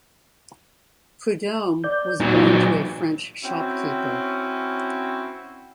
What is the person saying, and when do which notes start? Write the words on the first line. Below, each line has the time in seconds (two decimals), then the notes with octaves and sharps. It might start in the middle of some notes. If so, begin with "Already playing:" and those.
Prudhomme was born to a French shopkeeper.
1.84 D5 G6
2.20 A#2 F#3 D#4
3.44 C4 C#4 E4 F#4